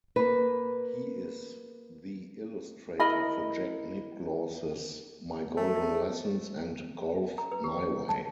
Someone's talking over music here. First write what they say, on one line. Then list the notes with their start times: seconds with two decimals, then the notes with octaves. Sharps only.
He is the illustrator for Jack Nicklaus's "My Golden Lessons" and "Golf My Way".
0.16 A#3 B4
3.00 E4 A#4 D#5 B5
5.57 A3
7.38 A#5
7.52 B4
7.64 G4
7.83 C#5
8.09 A5